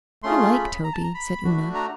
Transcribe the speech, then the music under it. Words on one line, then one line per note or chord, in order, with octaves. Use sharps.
'I like Toby,' said Una.
A3 C#4 F4 G#4 C6
B5
A#5
A5
A#5
B5
A3 D4 F#4
A#5